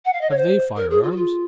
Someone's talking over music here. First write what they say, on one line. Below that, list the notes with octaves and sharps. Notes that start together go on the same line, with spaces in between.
"Have they fire-arms?"
F#5
F5
D#5
C#5
C5
A#4
G#4
F4
F#4
F4